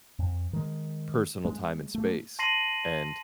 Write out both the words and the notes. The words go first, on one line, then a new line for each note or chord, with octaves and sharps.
personal time and space, and
F2
D#3 G#3
G#3
A3 A#3
A5 C6 A#6 C7 D#7 F#7